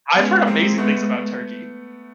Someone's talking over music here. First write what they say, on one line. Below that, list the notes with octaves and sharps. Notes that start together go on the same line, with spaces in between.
I I've heard amazing things about Turkey.
G#3 B3 C#4
A#3 C4
A3 B3